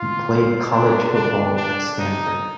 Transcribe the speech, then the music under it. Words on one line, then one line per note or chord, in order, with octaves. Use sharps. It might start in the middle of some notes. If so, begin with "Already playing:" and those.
He played college football at Stanford.
Already playing: F4
D4
D4
D4
D#4